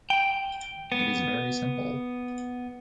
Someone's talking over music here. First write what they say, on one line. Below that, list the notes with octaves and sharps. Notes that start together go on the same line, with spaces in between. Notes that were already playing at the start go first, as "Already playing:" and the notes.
It is very simple.
G5
B3